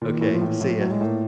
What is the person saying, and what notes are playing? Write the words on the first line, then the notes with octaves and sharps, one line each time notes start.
Okay. See ya.
A#2 D#3
A2 E3
F3
A2 E3
A2 F3
A2 F#3
G#3
A2 A#3